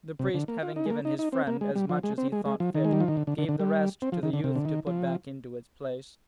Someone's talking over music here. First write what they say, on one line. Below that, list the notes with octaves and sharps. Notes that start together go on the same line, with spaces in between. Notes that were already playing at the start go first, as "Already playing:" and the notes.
The priest, having given his friend as much as he thought fit, gave the rest to the youth to put back into its place.
C3
D3
A#3
F4
D#4
G#3
A#3
D#4
D#4
C4
A#3
G#3
G3
F3
G#3
C4
G#3
G#3
F3
D#3
G#3
G3
F3
D#3
D3
D3
D3
D3
G3
C4
F3
D#3
D3
C3
D3
D#3
F3